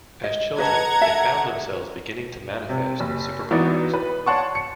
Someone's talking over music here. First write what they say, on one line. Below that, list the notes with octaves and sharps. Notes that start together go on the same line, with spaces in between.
As children, they found themselves beginning to manifest superpowers.
D#5
B4 D#5 F#5 A5 A#5 G#6
A4 E5 A5
C3
F#1
E3 B3 D#4 F#4 D5
B4
C#5 D5 F#5 A5 C6 C#6
C#7